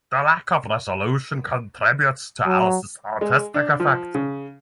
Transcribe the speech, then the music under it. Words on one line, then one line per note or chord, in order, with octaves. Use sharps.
The lack of resolution contributes to Ellis' artistic effect.
F#3
G#3
D4
F3
C#3